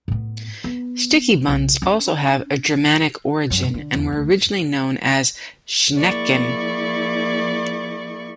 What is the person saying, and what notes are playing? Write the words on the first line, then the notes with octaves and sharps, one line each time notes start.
Sticky buns also have a Germanic origin and were originally known as ""Schnecken"".
A2 B3
B3
B1 C#3
C#4 D4
F#2
C3
D3
E2
D2
F3 A#3 E4 G#4 D5 C#6